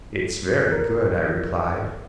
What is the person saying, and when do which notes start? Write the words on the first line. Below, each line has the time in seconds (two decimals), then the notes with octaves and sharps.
"It's very good," I replied.
0.72 A#4